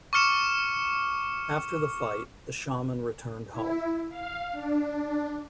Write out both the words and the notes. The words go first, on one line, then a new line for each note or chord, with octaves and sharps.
After the fight, the shaman returned home.
C#6 D6 F6 C#7 E7
E4
F5
D4